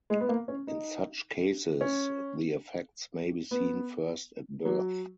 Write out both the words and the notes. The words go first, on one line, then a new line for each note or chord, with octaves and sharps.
In such cases, the effects may be seen first at birth.
G#3
B3
A#3
C#4
D#4
C#4
B3
F#3